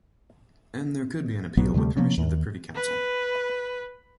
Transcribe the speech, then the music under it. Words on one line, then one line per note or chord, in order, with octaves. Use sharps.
And there could be an appeal with permission of the Privy Council.
B1 F#3 B3
D2 C3 G3 A3
C3 F3 A#3 C#4
D#2
B4